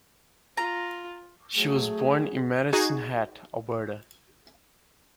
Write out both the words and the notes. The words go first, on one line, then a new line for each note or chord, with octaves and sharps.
She was born in Medicine Hat, Alberta.
F4 A#5
F#3 A3 G#4
D#4 F#4 G#4 G#5